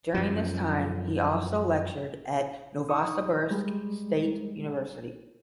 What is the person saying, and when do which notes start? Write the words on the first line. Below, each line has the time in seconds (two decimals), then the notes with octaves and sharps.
During this time he also lectured at Novosibirsk State University.
0.14 F#2 F3
2.89 D#4 C#6 D#6
3.51 G3 G#3